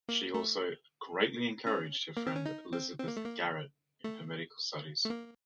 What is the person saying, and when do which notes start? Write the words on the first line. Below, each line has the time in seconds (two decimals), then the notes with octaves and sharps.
She also "greatly encouraged" her friend Elizabeth Garrett in her medical studies.
0.09 A#3
0.34 A3
1.67 C#4
2.17 A#3
2.27 C4
2.36 C#4
2.46 D#4
2.73 C4
2.99 C4
3.08 A#3
3.17 A3
3.25 A#3
4.04 A3
5.05 A3
5.10 A#3